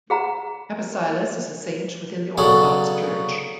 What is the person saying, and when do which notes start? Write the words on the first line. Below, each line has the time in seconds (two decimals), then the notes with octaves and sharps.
Kabasilas is a saint within the Orthodox Church.
0.10 G#4 F#5 A#5
2.38 C#3 F#3 B3 C#4 D4 A4